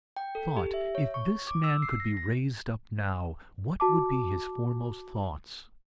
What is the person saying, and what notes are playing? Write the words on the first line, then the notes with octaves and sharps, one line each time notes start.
He thought, if this man could be raised up now, what would be his foremost thoughts?
G5
A4
G4
E5
C#5
C#6
D6
E6
C7
A#6
A#6
F#4 A5 D6